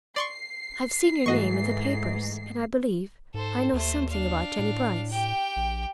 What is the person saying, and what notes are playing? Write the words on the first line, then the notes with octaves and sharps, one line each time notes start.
"I've seen your name in the papers, and I believe I know something about Jennie Brice."
D5 C6 C#6 C7
G#2 E3 A3 F#4 D#5 C#6
G#2 A4 C5
D#2 A3 C5
D4 F5
A2
G4 G5
A#1